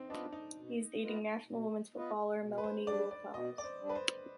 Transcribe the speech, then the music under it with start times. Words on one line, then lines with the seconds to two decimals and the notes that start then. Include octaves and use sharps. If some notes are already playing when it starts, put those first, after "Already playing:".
He is dating national women’s footballer Melanie Leupolz.
Already playing: C4 D#4
0.09 B3 D4 F4 B4 D#5
0.32 D#4
0.57 B2
1.02 B3 F4 B4 D#5
1.49 B2
1.95 B3 F4 B4 D#5
2.40 B2
2.58 B4
2.64 C5
2.87 G3 D4 D5
3.11 D5
3.33 B2 D#5
3.58 D5
3.64 C5
3.80 G3 D4
3.89 B4
3.95 C5